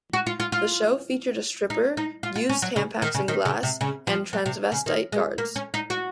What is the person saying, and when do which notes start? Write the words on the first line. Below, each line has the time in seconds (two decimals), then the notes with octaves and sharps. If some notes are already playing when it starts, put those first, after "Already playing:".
The show featured a stripper, used Tampax in glass, and transvestite guards.
0.13 F#4
0.27 F4
0.40 F4
0.52 F4
1.70 D#4
1.97 D#4
2.23 F4
2.36 F4
2.49 C#4
2.62 F#3
2.76 C#3
3.02 D#3
3.14 C#3
3.28 D#3
3.45 C#3
3.63 C3
3.81 C#3
4.07 F3
4.33 F#3
4.46 C3
4.72 C#3
4.86 D#3
5.12 G#3
5.38 A#3
5.56 C#4
5.74 D#4
5.90 F#4